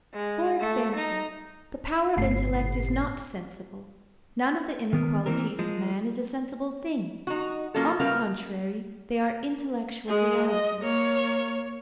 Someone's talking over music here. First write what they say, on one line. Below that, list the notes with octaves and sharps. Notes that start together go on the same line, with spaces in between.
For example, the power of intellect is not sensible; none of the inner qualities of man is a sensible thing; on the contrary, they are intellectual realities.
G#3
A3
D#4
G1 A2 C3 C7
D#3 B3 A#4
E3 A#3 C4 A#4
F3 G#3
D#4 F#4
F#3 A#3 C#4 F4 A4
G3 B3 C#4 A#4 F5
G#3 G#4
D#5
A#3 C#5